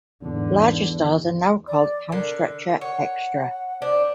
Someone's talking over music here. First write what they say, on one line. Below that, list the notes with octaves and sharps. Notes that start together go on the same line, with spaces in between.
Larger stores are now called Poundstretcher Extra.
E2 G#2 D3
D5
D3 A#4
C#5 F#5
D4 C5